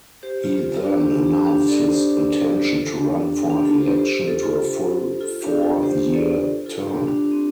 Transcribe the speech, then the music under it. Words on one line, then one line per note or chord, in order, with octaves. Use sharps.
He then announced his intention to run for election to a full four-year term.
G4 C5
F4
F4
F4
D4
G4
F4
D4 G4
D4 G4
A4 D5
A4
G4 C5
D4 G4
A4
G4
F4 A4
F4 A4
A4
D4 G4
D4
D4
D4 G4
F4 A4
G4 C5
G4 C5
F4 A4
F4 A4
F4 A4
D4 G4
F4 A4
G4 C5
A4 D5
F4 A4
D4 G4
D4
C4